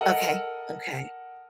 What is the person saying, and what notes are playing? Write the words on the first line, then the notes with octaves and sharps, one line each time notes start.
Okay, okay.
A4 A#4 D#5 F#5